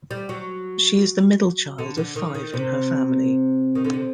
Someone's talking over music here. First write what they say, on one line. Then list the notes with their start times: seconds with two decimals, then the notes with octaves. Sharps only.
She is the middle child of five in her family.
0.11 G3
0.29 F#3
1.79 D3
1.97 D3
2.16 D#3
2.35 D#3
2.53 C3
3.75 D#3
3.84 D3
3.93 C3